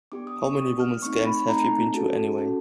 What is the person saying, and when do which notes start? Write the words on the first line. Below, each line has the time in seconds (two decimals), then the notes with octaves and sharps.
'How many women's games have you ever been to, anyway?
0.12 B3 D4 G4 D6
0.27 D#6
0.42 C#6
0.57 B3 D4 G4 D#6
0.80 F6
1.02 A3 C4 D#4 C#6
1.25 B5
1.48 A3 C4 D#4 A#5
1.63 A5
1.79 A5
1.94 C#4 F#4 A4 A5
2.16 A5
2.38 C#4 F#4 A4 A5